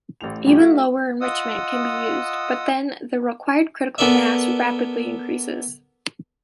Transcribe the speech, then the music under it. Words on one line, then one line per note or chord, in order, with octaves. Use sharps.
Even lower enrichment can be used, but then the required critical mass rapidly increases.
A1 A2 G4 F7
A2 F3 G3 C#4 F4 G4
A3 F#4 E5 F5 F6
F4 D#5 F#5 D#6 E6
B3 A4 A#4 D5 E5